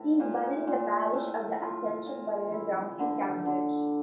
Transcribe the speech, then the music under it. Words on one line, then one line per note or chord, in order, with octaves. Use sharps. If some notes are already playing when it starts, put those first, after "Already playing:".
He is buried in the Parish of the Ascension Burial Ground in Cambridge.
Already playing: A2
A#2
A#2
A2
F4
A#2
E4
D3
D3